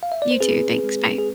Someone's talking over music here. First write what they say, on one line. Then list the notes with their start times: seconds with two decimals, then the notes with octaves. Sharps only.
You too. Thanks. Bye.
0.03 F5
0.12 E5
0.22 D5
0.31 C5
0.40 C4 G#4 B4
0.84 G#3
1.19 G#4